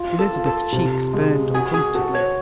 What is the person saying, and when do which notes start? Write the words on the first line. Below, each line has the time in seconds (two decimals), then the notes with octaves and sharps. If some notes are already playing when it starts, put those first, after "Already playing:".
Elizabeth's cheeks burned uncomfortably.
Already playing: F4
0.19 A4
0.33 F4
0.46 A4
0.72 C3
1.13 G#3
1.54 F#4 G#4
1.74 G#4
1.94 F#4 A4
2.15 C#5